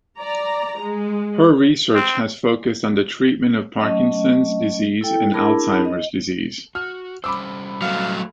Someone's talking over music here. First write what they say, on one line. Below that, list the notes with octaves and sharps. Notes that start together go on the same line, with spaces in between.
Her research has focused on the treatment of Parkinson's disease and Alzheimer's disease.
D5 A#5
G#3
C4
F#3 A3 C#4 D#5
E4 A4 G5
D4 E4 G#4 A#4 A5 B5
D#5
F#4 F6
G3 C#4 C5 B5 D6 E6
F#3 A3 F5